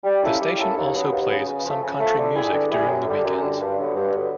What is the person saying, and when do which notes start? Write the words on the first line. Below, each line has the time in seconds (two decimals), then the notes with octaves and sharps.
The station also plays some country music during the weekends.
0.04 G3
0.21 A#3 C#4 E4 A4
0.39 G3
0.57 A#3 C#4 E4 A4
0.76 D#2
0.93 C#3 F#3 B3
1.10 D#2
1.28 C#3 F#3 B3
1.46 C#3
1.64 F3 A3
1.81 C#3
1.99 F3 A3
2.17 D3
2.35 G3 B3 E4 G#4
2.52 D3
2.70 G3 B3 E4 G#4
2.87 F#2
3.06 D3 G3
3.23 F#2
3.40 D3 G3
3.59 G2
3.76 D3 F#3 B3
3.94 G2
4.11 D3 F#3 B3